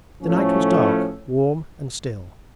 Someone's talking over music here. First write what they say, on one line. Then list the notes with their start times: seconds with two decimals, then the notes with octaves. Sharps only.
The night was dark, warm, and still.
0.22 A2 F3 A3 C#4